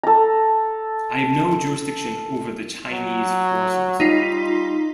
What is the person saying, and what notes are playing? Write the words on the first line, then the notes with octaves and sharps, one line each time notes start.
I have no jurisdiction over the Chinese forces.
A4 A#5
F#3
G3 D#4 F4 B6